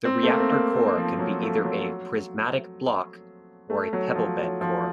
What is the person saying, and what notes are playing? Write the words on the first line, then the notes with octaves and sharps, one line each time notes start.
The reactor core can be either a "prismatic block" or a "pebble-bed" core.
C4
A3
A#3
C4
A#3
A3
F3
F#3
A3
F#3
A3
F#3
F3
F#3
F3